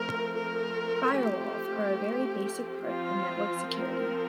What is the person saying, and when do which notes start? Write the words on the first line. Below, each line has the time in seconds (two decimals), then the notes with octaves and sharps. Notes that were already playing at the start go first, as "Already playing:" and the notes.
Firewalls are a very basic part of network security.
Already playing: F3 A3 C4 A#4
0.36 A#4
1.19 G4
2.85 F3 C4 F4
3.66 A#4